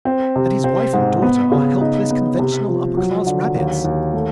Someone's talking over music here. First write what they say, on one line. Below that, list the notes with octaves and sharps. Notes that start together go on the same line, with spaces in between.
And his wife and daughter are helpless, conventional, upper-class rabbits.
C4
C3
C4
G#2
B3
C#3
D#4
B3
C3
F3
F#3
D3
D#2
D#2
A3